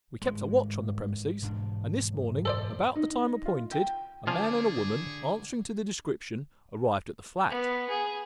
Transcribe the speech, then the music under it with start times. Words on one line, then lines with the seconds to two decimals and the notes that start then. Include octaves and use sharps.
We kept a watch on the premises, and this morning, about the time appointed, a man and a woman, answering to the description, arrived at the flat.
0.22 G#1 G2 G#3
1.42 E1 G#2 D4
2.12 F#2
2.45 A4 C5 D5
2.95 D#4
3.46 F4
3.71 G5
4.27 D3 F3 G#4 D5 F5 G#5
7.49 B3
7.89 G#4